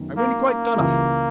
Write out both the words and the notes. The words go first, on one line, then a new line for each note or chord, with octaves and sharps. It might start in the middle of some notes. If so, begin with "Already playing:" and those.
I'm really quite done up.
Already playing: F#2 D#3 F#3 B3
A#3
A#3
C#2 C#3 E3 G3